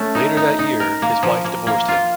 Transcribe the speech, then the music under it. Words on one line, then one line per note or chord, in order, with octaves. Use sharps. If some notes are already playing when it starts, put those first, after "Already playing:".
Later that year, his wife divorced him.
Already playing: A3 C#4
D#4
D#4
D#4
A#4
A#3
F3
A#3
A#3
F4